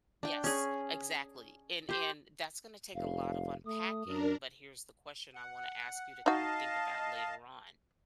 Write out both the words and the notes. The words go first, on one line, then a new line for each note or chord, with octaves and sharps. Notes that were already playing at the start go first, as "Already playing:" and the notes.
Yes, exactly, and and that's gonna take a lot of unpacking, but here's the question I wanna ask you to kinda think about later on.
D4 G5
C#4 G#4
G4 C5
F1 F5
A3 D#6
F#2 D4 A#4
F#5
D#4 F#4 D#5 F5 A5